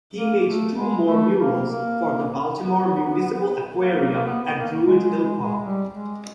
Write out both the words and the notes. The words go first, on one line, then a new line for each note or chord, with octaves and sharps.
He made two more murals for the Baltimore Municipal Aquarium at Druid Hill Park.
A#3
A3
G#3
A3
A#3
A#3
B3
A#3
A#3
A#3
B3
B3
A#3
G#3
G#3
G#3
G#3
G3
G#3